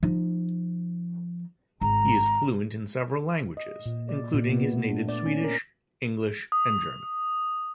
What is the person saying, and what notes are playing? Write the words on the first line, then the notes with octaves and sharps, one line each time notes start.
He is fluent in several languages including his native Swedish, English and German.
F3 D#4
G#1 A#5
D#5
A#2
D5
A#2
B3
A3
D4
D5
C#4
A#4
D#6